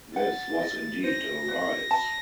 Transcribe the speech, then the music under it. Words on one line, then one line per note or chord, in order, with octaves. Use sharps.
This was indeed a rise.
F#5 A6
D#5
C5 A#6
F#4
A5